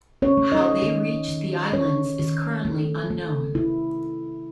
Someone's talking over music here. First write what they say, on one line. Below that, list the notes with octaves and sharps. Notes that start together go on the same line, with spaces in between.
How they reached the islands is currently unknown.
C#4 C#5
A3
D#4 D#5
D#3
D#3
D#3 C#4 C#5
D#3
A3
A3
C3 E4